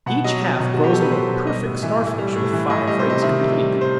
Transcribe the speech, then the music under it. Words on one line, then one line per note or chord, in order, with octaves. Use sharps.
Each half grows into a perfect Starfish with five rays complete.
B2 F#5
F#3 D#5
F#3
B2
B2 F#4
G4
F#3 A4
B4
F#3 C5
B2
G3 D#5
A2
E3 E5
A2
G3
A2
E3
A2 D#5
G3 D#5
C5
C3 D#5
D#3 E5
C3
G3
C3
C5